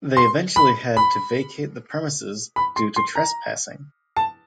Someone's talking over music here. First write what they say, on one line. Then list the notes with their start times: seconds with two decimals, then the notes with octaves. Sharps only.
They eventually had to vacate the premises due to trespassing.
0.17 C6
0.56 B5
0.97 B5
2.56 B5
2.76 C6
2.96 C6
3.15 A#5
4.16 A5